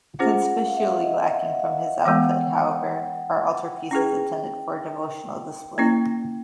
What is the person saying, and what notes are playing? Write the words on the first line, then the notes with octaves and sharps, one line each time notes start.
Conspicuously lacking from his output, however, are altarpieces intended for devotional display.
C#4 F4 G#4 C5 F#5
F5
E5
F5
D#5
E5
F#5
F5
G5
E3 G#3 B3 F#5
C#4 E4 G#4 B4 G5
A#3 C#4 E4